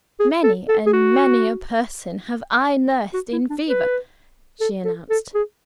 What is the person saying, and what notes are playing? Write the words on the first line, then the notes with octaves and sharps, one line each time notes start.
"Many and many a person have I nursed in fever," she announced.
G#4
A4
A4
G#4
F#4
F#4
E4
D4
B4
A4
A4
A4
G#4